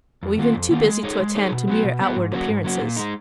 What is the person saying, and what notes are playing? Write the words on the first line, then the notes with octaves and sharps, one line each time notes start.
We've been too busy to attend to mere outward appearances.'
F2
D#3 A#3 F4
F2
D#3 A#3 F4
G#3
D#4 G#4 C#5
G#3
D#4 G#4 C#5
B2
F#3 B3 F#4
B2
F#3 B3 F#4
G#2
F#3 A#3 C#4 F#4
G#2
F#3 A#3 C#4 F#4
A#2
G#3 D#4